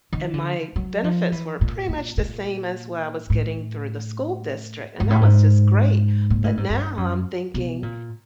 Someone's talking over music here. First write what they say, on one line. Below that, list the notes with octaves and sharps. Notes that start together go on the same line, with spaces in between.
and my benefits were pretty much the same as what I was getting through the school district, and that was just great, but now, I'm thinking
D#3
D3
F#3
F3
E3
A#2
A#2
A#2
A2
G#2
A2
G#2
A#2
A2
G#2
G2
F#2
B2
A#2